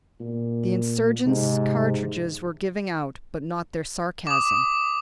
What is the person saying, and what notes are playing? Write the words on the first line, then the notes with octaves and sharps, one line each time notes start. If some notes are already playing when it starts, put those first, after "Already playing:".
The insurgents' cartridges were giving out; but not their sarcasms.
A#2
G#2 C3
D6 D#6